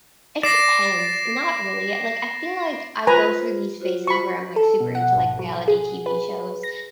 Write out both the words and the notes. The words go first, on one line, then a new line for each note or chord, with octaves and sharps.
it depends, not really, like, I feel like I go through these phases where I'm, like, super into, like, reality TV shows,
D5 A#6 C7 E7
F4 B4 C5 G#5 A#5
F4 F#4 C5
B5 C#6
A4
B2
F#5
G#1
F#3
G#4
B4
A#6